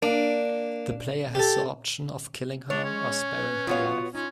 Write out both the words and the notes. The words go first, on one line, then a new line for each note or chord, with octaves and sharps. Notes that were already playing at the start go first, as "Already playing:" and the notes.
The player has the option of killing her or sparing her life.
A#3 D4
G4 A4
G#3 D4 C#5
C#4
B4
B3 F4 F#4 C#5 F5
C#4 D#4 F4